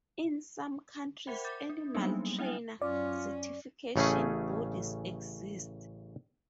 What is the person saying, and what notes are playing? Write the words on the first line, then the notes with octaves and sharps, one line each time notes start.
In some countries animal trainer certification bodies exist.
A#4 C5 E5 F#5 G5 B5
D6 G6 A6
D4
F#3 G3 A#3 B3 D4 D#4
D4 E4 E5 G5 G#5
F#2 C#4 F4 D5
A1 C#3 A3 C#4 G#4